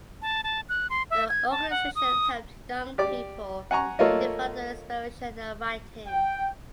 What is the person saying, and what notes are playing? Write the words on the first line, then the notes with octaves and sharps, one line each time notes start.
The organization helped young people develop their inspiration and writing.
A5
A5
F#6
C6
E5
G#6
A5
F#5
D#6
G4 D5 D6
F#5 G#5 A#5 C#6
A3 A#3 F4 C#5 D#5
G5